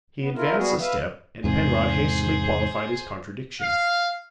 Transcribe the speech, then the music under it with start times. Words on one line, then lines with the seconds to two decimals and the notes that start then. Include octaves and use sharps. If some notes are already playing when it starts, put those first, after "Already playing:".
He advanced a step and Penrod hastily qualified his contradiction.
0.20 B3
0.36 E4 F4 A#4
0.57 G3 B3 F#4 G#4
0.80 B4 E5 F5
1.44 E2 G#2 C3 G#4 C5
3.61 F5